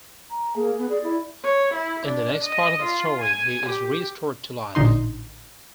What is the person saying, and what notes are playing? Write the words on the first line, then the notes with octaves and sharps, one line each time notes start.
In the next part of the story he is restored to life.
A#5
A#3 G#4
B3
G#4 D5
E4
C#5
E4
D4
D#5
F4
G#5
G4
A1 A#2 D3 D#4 C6